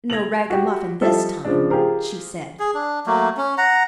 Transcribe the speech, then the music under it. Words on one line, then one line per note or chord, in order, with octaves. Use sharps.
"No ragamuffin this time," she said.
G#6 A#6 F7 F#7
F#4 G4
F3 G3 A4 D#5 E5 A5
C#3 F3 G#3 D4
F4 G4 G#4 A#4 C5
G#4
D4
F#3 A3 A#3
C#4
F#5 A#5